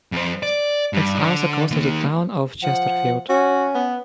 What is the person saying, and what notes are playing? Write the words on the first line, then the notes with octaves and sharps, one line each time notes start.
It is also close to the town of Chesterfield.
F2 C5
D5
G2
D3
D#3 A#3
F3 F#5
C#4 F#4
B3